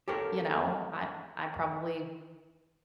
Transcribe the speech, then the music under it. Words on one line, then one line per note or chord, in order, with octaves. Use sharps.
You know? I I probably
G4 A4 A#4 C#5